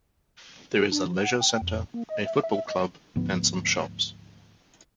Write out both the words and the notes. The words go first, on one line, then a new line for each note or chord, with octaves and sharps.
There is a leisure centre, a football club and some shops.
G#4
D4
F3
F#5
G5
F2
A#3
D#5
E5
E5
D#5
D2 G#2 F3 B3